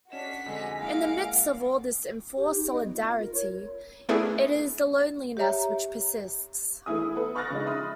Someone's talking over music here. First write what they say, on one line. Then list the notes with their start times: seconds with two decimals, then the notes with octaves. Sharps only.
In the midst of all this enforced solidarity, it is the loneliness which persists.
0.12 C#4 D4 F#4 C#5 D#5 B6 E7
0.46 F2 D3 G#3 D#5 G#5
0.81 G#3 A#3 E4 F5 F#5 D7
2.37 G4
2.56 D#4
2.72 D#5
2.83 B3
2.95 F4
3.09 F4
3.22 A#4
3.35 C#5
4.09 A3 B3 C#4 D4 E4 G#4
5.37 G4 C#5 E5 A#5
6.86 E3 A3 E4 G#4 D#6
6.98 E4
7.15 B3 A4 B4
7.35 B5 C#6 F6 F#6 A6 A#6
7.50 C#3 F3 G#3 D#4
7.66 E5 B5 C6 D#6